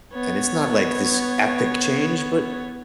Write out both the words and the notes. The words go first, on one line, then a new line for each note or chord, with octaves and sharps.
and it's not like this epic change, but
B3 C#5